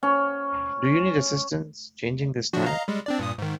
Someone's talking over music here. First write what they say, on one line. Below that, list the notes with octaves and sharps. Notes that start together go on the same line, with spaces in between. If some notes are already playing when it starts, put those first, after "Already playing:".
Do you need assistance changing this tire?
C#4
F3 D4 F#4
D#5 F5 A#5
G3 G#3
C4 D4 D5
G2 A#2 D#6
G#2 D#3